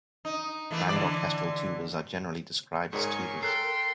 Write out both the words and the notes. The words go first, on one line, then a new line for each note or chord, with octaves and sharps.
Grand orchestral tubas are generally described as tubas.
D#4
E3 A3 A#3
D3 E3 D5
G#2 G#4 A#4 C#5 G#5 C#6
A4 G5 C6 F#6 C7